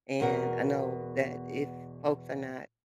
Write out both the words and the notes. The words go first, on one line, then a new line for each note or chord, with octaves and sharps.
And I know that if folks are not
E2 B2 A#4 F#5